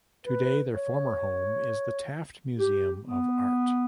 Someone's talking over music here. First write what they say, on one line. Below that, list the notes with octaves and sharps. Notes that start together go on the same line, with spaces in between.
Today their former home is the Taft Museum of Art.
B4
C#5
G4
B3